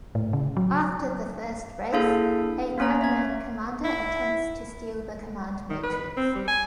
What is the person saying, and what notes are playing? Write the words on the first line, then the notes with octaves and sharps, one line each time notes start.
After the first race, a Kragnan commander attempts to steal the Command Matrix.
A2
C#3
F#3
A#3 D4 E4 G#4 A4 F5
A#3 B3 C#4 C#5 A#5
E5 G#6
E4
D#3
B4
C4
G3
G#5